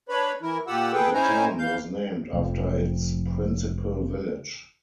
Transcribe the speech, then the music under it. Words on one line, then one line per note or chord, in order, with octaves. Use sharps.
The town was named after its principal village.
D4 B4 C#5 B5
E3 E4 A#4
A#2 F4 G4 F#5 E6
G#4 A4 B4 G5
C#4 D#4 E4 C5 G#5 A#5
E3 F5 G6
F1 F2